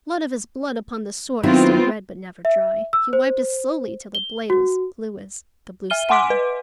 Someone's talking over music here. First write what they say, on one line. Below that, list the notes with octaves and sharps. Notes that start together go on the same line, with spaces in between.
Blood of his blood upon the sword Stood red but never dry. He wiped it slowly, till the blade Was blue as the blue sky.
D#3 F#3 B3 C4 E4 F4
E5
E6
C5
G7
F#4
E5 F6 D#7 G7
F#5 G#5 C6 D6 B6 D7
B4